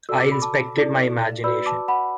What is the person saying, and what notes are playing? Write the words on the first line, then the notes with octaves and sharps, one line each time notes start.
I inspected my imagination.
F#4 A4 D5 E6
D6
B5
A5 D6
E4 A4 D5
F#4 B4 D5 B5 E6
A5 D6
F#5 B5